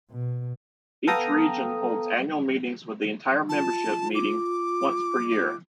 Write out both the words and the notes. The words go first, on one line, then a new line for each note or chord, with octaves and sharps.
Each region holds annual meetings with the entire membership meeting once per year.
B2
B3 A4 F5 G5 A#5 D#6
F4 A5
D6